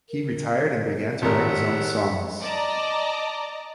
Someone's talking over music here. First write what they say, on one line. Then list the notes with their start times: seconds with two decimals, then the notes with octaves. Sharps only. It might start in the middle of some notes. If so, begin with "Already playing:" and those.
He retired and began to write his own songs.
0.09 A#4
1.22 G#1 G4 A#4 E5 F#5
2.41 D5 D#5 A5 A#5 D6